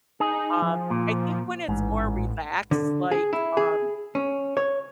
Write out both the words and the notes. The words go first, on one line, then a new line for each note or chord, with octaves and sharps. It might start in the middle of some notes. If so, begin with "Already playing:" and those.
Um, I think when it's more relaxed, like, um,
D#4 G#4
F3
A#2
A1 G#2
D3
G#4
E4
G#4
C#4
C#5